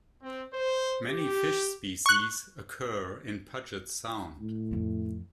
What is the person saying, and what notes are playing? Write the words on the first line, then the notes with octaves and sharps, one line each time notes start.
Many fish species occur in Puget Sound.
C4
C5
G4
C#6 F#6
A2
F2 F3